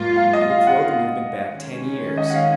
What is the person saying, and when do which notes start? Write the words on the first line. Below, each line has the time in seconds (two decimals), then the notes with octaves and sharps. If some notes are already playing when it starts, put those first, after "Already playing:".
It will throw the movement back ten years....
Already playing: G#2 F#3 A#3 F4
0.16 F5
0.33 D#5
0.50 F5
0.67 F#5
0.84 F5
1.50 D#3 G#3 C#4
2.17 D#5
2.30 F#5
2.34 F5